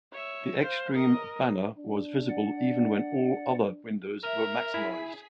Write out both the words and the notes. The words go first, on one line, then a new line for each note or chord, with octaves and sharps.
The X-Stream banner was visible even when all other windows were maximised.
C#5 E5
C5 F5
A#4 D#5
D4
D5 F#5
A#4 E5
E4 G#4 B6